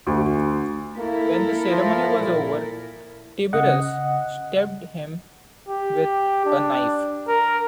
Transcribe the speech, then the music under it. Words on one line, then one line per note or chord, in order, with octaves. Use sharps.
When the ceremony was over Tiberius stabbed him with a knife.
D2
A#3 E4 A4 A#4
F3
A#2
C#3 D#5 F#5
G4
D4
A#4